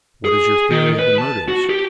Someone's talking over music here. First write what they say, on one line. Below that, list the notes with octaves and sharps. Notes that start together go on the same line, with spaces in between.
"What is your theory of the murders?"
G#4
D#3
B4
A5
F#4
G4